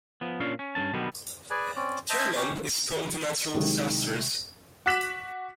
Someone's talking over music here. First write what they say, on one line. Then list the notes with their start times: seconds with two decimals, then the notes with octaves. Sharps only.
Kerman is prone to natural disasters.
0.21 F3 B3
0.40 A#2 C#4 D4 F4 C#5 F5
0.59 C#4
0.75 G2 A3 C#4 A5
0.93 B2 D3 D#3 F#3 G3 B3
1.50 G#4 B4 D5 G#5
1.76 C4 C#4 D5
2.10 C5 D#5 E5 A5
2.36 C#4 G4
3.54 C2 C3 D#3 F#3 G#3
4.86 F#4 D6 F#6 B6 E7 F#7